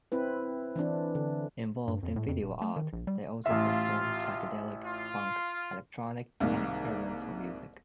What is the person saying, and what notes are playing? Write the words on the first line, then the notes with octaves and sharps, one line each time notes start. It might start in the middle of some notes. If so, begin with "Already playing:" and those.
Involved in video art, they also performed psychedelic, punk, electronic and experimental music.
C4 E4 B4
E3 C4 D4 E4
D3
G2
F2
A2
F2
D#1
A3
D#3
A#1
G3
A1 F4 E5
F4
C2 G#2 D#3 A#3